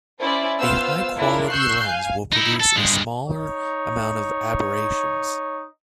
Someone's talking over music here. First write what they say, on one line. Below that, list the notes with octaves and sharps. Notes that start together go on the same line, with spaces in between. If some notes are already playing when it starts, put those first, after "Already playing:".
A high quality lens will produce a smaller amount of aberrations.
C#4 E4 C5 D5
B3 F4 C5 F5 E6
D4 E4 F4 A#4
C#6 E6 F#6 G6 C7
F5 G#5
D#4 E4
A4
G2 G#3
D#4 C#5